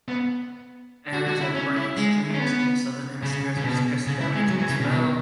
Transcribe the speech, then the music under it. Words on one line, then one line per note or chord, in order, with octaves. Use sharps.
Areas of branched streams, in the southern hemisphere, suggested that rain once fell.
B3
F#4
F#4
E4
C#4
E4
G#3
C#4
B3
C#3
C#3
B2
C#3
E4
G#3
F#3
E3
C#3
B2
B2